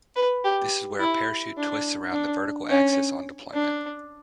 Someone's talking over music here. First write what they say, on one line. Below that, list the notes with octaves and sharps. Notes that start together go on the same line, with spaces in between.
This is where a parachute twists around the vertical axis on deployment.
B4
G4
E4
D4
D4
C#4
D4